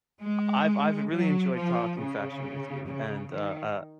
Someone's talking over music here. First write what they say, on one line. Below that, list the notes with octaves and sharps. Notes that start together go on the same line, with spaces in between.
I've I've really enjoyed talking fashion with you, and, uh, uh,
G#3
F#3
F3
C#3
C#3
D#3